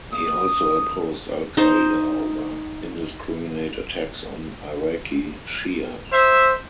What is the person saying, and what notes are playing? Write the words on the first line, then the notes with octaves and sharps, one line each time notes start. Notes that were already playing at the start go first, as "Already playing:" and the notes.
He also opposed Al-Qaida over indiscriminate attacks on Iraqi Shias.
D#6
D#4 C5
C5 E5